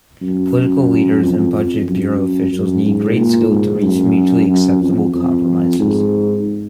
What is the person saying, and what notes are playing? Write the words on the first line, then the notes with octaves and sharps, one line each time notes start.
Political leaders and Budget Bureau officials need great skill to reach mutually acceptable compromises.
F#2
F2
F2
F#2
F#2
G#2
A#2
G#2
F#2
F#2
F2
F2
G#2